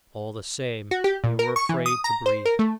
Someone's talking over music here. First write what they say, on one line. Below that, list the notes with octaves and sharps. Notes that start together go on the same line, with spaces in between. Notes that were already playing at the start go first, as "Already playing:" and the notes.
All the same, we were afraid to breathe.
F#4
G4
A#2
A#4
C#6
E3
D#6
A#5
C5
A#4
A3